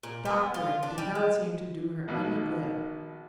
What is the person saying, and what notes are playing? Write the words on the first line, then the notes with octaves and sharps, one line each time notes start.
Doctoring did not seem to do her any good.
A#2
B3
F4
D4
G3
G#3
A#1 B2 D#3